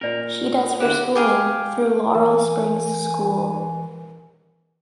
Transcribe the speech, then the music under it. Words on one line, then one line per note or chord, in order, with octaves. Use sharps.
She does her schooling through Laurel Springs School.
A#2 C#4 A#4 D5 A#5
D3 E4 F#4 G4
G4 G#4 F5
E3 A#4 G#5